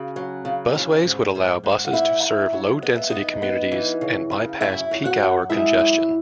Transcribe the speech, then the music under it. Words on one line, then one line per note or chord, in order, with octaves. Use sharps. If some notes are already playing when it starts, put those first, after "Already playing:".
Busways would allow buses to serve low-density communities and bypass peak hour congestion.
Already playing: C#3 F#4
F#3
C#3
D#2
G#2
G#2
G#2
F#5
G#2 E4 E5
D#3
F#3
B3 D#5
E5
B3 D#4 D#5
B3
E3
C#3
C#3
F#2 E4 E5
F#2
F#4 F#5
F#2
G#3 E4 E5
F#2